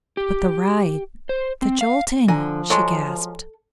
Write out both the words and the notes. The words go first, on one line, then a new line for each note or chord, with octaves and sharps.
"But the ride--the jolting," she gasped.
G4
C5
C4
F5
D3 F3 G#5 A#5
F#3 G#3 A4